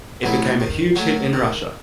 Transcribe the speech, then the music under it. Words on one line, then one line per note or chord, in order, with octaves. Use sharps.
It became a huge hit in Russia.
B2 F#3 A3 E4
D#3
F#3 A3 C#4
D#3